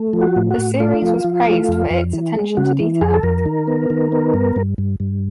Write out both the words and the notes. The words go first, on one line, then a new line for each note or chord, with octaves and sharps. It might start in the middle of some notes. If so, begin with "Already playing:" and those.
The series was praised for its attention to detail.
Already playing: A3
F3
F#4
A2
F#4
A2
A3 F4
F3
F3
A3
F2
F2
E3
G#3
C#3 F#4
E3
F2 G#4
A4
F2 A#4
D#3
B3
D#3
B3
G2
G2
G2
G2